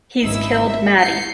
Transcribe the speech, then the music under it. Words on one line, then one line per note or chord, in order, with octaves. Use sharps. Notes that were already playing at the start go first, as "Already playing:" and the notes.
He's killed Maddie.
G#1 C#2 D#4 E4 E6
E5
G6 C7 C#7